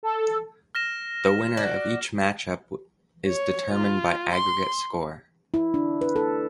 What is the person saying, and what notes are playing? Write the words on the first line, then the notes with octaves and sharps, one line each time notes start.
The winner of each match up is determined by aggregate score.
A4
F6 A#6 E7
F#4 D5
C#5
F4
C6
E4
D4
B4
A4